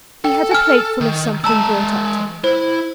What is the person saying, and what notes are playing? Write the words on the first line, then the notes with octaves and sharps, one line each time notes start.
He had a plateful of something brought up to him.
A4 G5
G#5 F6
D#3
G#3 A5 A#5 E6
E4 C5